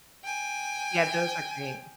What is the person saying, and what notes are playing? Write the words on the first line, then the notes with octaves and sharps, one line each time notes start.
Yeah. Those are great.
G5 G#5